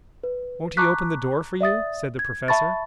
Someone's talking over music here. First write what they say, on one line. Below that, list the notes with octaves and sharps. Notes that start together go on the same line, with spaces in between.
"Won't he open the door for you?" said the Professor.
B4
A5 A#5 C#6 D6 F#6 B6
D5 E5 D#6 A6
G#6
E5 A5 B5 C#6 A6